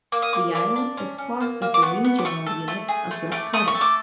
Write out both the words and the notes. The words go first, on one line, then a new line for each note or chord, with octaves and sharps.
The island is part of the regional unit of Lefkada.
A#3 D6
D#6
A#3 D6
D4 D6
D4
C#4
C#4
A#3
A#3
D6
B3 C#6
B3
D6
A3 C#6
A4
A3
G#4
A3
A3 D6
A3 D#6
C#6
A4
D6